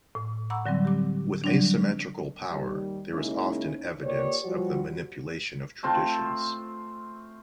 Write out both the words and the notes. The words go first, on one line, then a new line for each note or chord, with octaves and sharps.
With asymmetrical power, there is often evidence of the manipulation of traditions.
A2
F#5 A#5 B5 C#6 D6 E6
D3 F#3 G3 C4
G4 D6
D3 F#3 G3 C4 D4
D#2 D#3 G3
C#3 G#3 A#3 C#4 D#4 E4
A#2 A#3 G4 B4 C#5 D5
F3 G3 F#4
A3 C4 F4